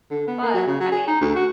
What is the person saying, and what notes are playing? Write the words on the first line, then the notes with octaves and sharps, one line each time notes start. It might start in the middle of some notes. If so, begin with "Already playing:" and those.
But, I mean, I
D3
B3
A#3
F#3
C#3
F#3
G#4
D#4
D2
F#4